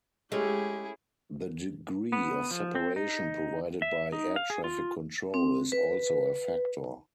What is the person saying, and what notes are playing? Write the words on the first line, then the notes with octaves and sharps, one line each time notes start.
The degree of separation provided by air traffic control is also a factor.
G#3 A3 C#4 E4 G4 G#4
B3
F3
C4
D#4
E5
D#4
F5
G#4
F4
C4
B4